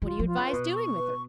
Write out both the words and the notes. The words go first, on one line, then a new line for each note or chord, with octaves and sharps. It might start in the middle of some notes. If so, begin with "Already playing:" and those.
"What do you advise doing with her?"
D#3 F4
F3
F4
C#3
B4
B2
C#6
B4